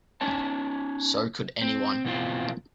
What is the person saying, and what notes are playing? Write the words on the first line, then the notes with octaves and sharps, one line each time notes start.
So could anyone.
C#4 D#4 C#5 A5
C4
B2 E3 A#3 C4 F4